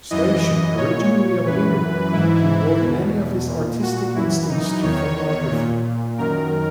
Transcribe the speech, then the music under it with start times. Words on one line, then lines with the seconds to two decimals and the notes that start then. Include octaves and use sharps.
Steichen, originally a painter, he brought many of his artistic instincts to photography.
0.11 F#2 E3 D#5
0.78 A#2 C#5
1.46 F#2 E3 B4
2.13 G#2 E3 E4
2.81 E2 B2
3.48 A#2
3.83 F#4
4.15 F#2 E3 E4
4.49 D#4
4.83 E2 D#3 C#5
5.51 A#2
6.18 F#2 D#3 A#4